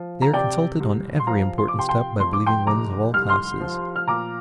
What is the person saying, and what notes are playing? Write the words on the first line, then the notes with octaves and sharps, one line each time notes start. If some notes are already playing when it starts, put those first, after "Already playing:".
They are consulted on every important step by believing ones of all classes.
Already playing: F3
A#5
C3 D5 G5
C2
C6
F3 F5 A#5
C6
D6
C3
G5 C6
G5 C6
F2 C6
D6
G5 C6
F1 A#5 D6
C2 F6
C6 F6
F3
F6
A#2 A#5 D6